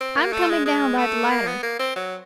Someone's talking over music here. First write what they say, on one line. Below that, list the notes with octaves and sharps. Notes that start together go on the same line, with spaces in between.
"I'm coming down by the ladder."
C4
A#3
A3
G#3
G#3
A3
A#3
B3
A#3
C4
F#3